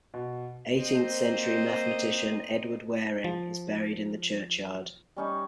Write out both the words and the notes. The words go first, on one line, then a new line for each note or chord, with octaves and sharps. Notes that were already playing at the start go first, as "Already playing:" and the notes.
Eighteenth-century mathematician Edward Waring is buried in the churchyard.
B2
A#3 C4 C5 D#5
F3
G3 C#4 D#4